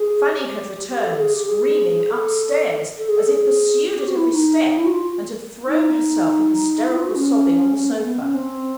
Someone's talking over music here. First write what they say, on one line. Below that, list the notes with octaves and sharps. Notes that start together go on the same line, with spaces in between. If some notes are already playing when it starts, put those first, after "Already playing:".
Fanny had returned, screaming up-stairs as if pursued at every step, and had thrown herself in hysterical sobbing on the sofa.
Already playing: G#4
G4
G4
A4
G#4
G4
G#4
A4
A4
G#4
A4
G#4
G#4
G4
F#4
E4
D#4
E4
F#4
F4
D#4
E4
F4
F#4
C#4
C#4
A#3
B3
C#4
C4